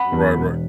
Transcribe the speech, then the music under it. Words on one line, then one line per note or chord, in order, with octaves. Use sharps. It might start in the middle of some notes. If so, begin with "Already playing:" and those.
Right, right.
Already playing: F#5 B5
E2
E1